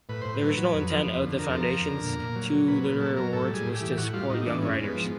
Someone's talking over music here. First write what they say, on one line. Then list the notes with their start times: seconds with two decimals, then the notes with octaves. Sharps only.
The original intent of the foundation's two literary awards was to support young writers.
0.09 A2 B4
0.21 A2 C5
0.35 B4
0.42 F#3
0.57 F#3
0.74 F2
0.90 F3
1.06 F2
1.22 D3
1.38 F2 A#4
1.50 F3 A4
1.60 A#4
1.71 F2
1.87 D3
2.03 A#2
2.20 A#2
2.36 F#3
2.52 F#3
2.68 A#2 B4
2.84 A#2 B4
3.00 F#3 A4
3.16 F#3 A#4
3.33 A2 A4
3.49 G3 G#4
3.66 A2
3.76 G4
3.81 E3
3.98 A2 F#4
4.13 G3 F4
4.30 A2 D#4
4.46 E3 D4
4.62 G#2 C#4
4.78 G#2
4.84 B3
4.94 F3